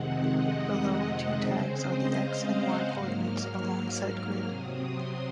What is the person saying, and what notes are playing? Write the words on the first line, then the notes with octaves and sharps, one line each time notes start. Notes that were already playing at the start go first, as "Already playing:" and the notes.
The lower two tags are the "X" and "Y" coordinates along said grid.
Already playing: F2 C3 D#3 G#3 C4 F#5
D#5
C#3 G#3 C4 C5
D#5
F5
F#5
G#2 F#3 A#3 F6
F6
C3 F#3 C4 D#6
C6